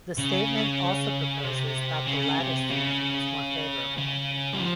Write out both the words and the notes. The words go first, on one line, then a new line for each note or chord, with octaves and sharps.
The statement also proposes that the latter statement is more favorable.
C#3
C3
C#3
C3
C#3
C#3
G3
F3